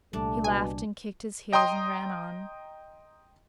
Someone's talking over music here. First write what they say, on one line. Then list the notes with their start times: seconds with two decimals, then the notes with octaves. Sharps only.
He laughed and kicked his heels and ran on.
0.13 C2 A#2 G3 A3 D4
0.44 B2 G#5
1.53 D#5 G5 A#5 C6 D#6